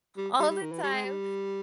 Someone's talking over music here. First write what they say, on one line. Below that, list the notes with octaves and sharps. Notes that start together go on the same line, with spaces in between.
all the time.
G3
G3
G3
D#3
E3
G3
G#3
G3